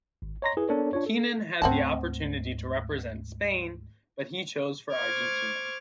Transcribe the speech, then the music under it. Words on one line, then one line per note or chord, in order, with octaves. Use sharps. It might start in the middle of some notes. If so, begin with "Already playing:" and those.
Keenan had the opportunity to represent Spain but he chose for Argentina.
G#1
C#5 D#5 A#5 C6 A#6
E4 G#4 B4
B3 D4 A4 A#4 C#5
D4 F4 C#5
A4
D2 G#2 C4 F#4 A5
C5 C#6 D6 F6 G#6